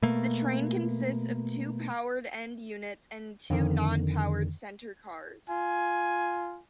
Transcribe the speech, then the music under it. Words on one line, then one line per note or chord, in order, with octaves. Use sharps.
The train consists of two powered end units and two non-powered center cars.
B2 A3 A#3
F2 D3 D#3
F4 G#5